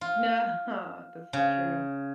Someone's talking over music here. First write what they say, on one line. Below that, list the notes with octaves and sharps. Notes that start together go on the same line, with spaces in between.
No. This is true.
F4
C#3